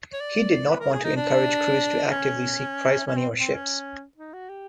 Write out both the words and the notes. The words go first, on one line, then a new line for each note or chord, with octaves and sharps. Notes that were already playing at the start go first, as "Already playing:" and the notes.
He did not want to encourage crews to actively seek prize money or ships.
C#5
D5
B4
A#4
G#4
D#4
D4
C#4
C#4
C4
C4
C#4
D#4
F#4
G4